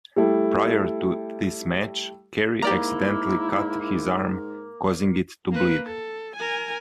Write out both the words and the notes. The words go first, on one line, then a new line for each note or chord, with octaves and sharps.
Prior to this match, Kerry accidentally cut his arm causing it to bleed.
G3 A3 E4 A4
G#2 A#3 E4 G4 D5 A#5
A#3 B4
A4
A#4 G#5